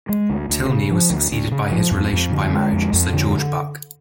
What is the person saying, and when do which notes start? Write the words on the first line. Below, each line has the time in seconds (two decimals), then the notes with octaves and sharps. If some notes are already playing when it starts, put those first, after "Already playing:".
Tylney was succeeded by his relation by marriage, Sir George Buck.
0.09 G#3
0.30 D2
0.49 D2
0.69 C#3
0.91 F3
1.10 D2
1.31 D2
1.51 C#3
1.71 F3
1.91 F2
2.12 F2
2.32 D3
2.53 G#3
2.73 F2
2.93 F2
3.13 D3